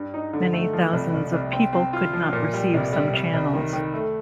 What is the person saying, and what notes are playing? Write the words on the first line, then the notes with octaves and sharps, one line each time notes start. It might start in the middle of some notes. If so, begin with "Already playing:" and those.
Many thousands of people could not receive some channels.
Already playing: G2
D#4
D3
A3
F3
C2
C2
C2
C4
C4
F4
F3
A#2
G3
C2
G3
C2
C2
D#3
D#3
A3